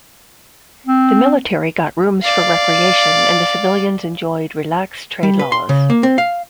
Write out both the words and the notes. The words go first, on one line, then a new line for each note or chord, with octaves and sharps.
The military got rooms for recreation and the civilians enjoyed relaxed trade laws.
C4
D5 F5
G3
B4
C6
C#3
A#3
C4
F5